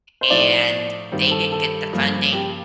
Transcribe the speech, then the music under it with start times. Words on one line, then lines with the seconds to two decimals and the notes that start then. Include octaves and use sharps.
and they didn't get the funding,
0.21 C5
0.30 A2 F3 A3 C4 D#4 D5
1.12 G2 D#3 G3 C4 F4
1.31 A4
1.52 A4
1.93 G2 F3 A#3
2.33 G4